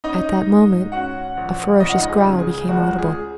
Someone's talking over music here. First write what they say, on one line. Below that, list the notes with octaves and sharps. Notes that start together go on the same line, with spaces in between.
At that moment, a ferocious growl became audible.
C#4 D#4 D#5
G#2
C#4 F#4 F#5
A#1
C#2 D#5
F#5
D#4 D#5
G#4
C#3
G#4
C#2 F#4
G#4